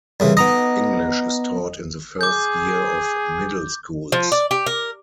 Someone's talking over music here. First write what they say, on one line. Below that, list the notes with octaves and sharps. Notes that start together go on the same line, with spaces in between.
English is taught in the first year of middle schools.
C2 C#3 E3
B3 D#4 D#5 A#5 A#6
G#4 D6 G6
F3
D5
G4
A#4